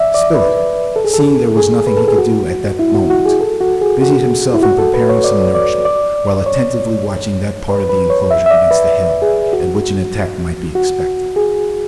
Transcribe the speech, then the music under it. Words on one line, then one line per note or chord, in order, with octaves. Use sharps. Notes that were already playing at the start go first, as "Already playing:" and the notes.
Spilett, seeing there was nothing he could do at that moment, busied himself in preparing some nourishment, while attentively watching that part of the enclosure against the hill, at which an attack might be expected.
Already playing: D5 E5
D5
B4
A4
G#4
A4
G#4
B4
A4
G#4
F#4
E4
F#4
F#4
G#4
A4
F#4
G#4
F#4
E4
F#4
A4
B4
C#5
D5
D5
D5
C#5
B4
B4
C#5
E5
E5
D5
B4
G#4
F#4
F#4
G#4